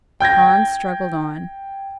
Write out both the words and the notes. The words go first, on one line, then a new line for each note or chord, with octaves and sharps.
Hans struggled on.
G5 G6 G#6 A#6